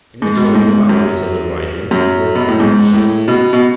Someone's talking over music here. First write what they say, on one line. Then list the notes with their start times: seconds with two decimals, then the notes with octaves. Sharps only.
Initially, the boundaries of the riding were contentious.
0.22 G#2
0.36 B2
0.46 A2
0.55 G#2
0.89 F#2
1.91 F#2
2.35 B2
2.48 A2
2.60 G#2
2.94 A2
3.28 B2
3.53 B2